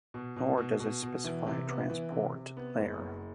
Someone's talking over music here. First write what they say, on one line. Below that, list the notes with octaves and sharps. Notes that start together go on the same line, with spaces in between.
Nor does it specify a transport layer.
B2
B2
B2
B2
B2
E3
C3
B3
E3
C3
C3
B3
F#1
F#2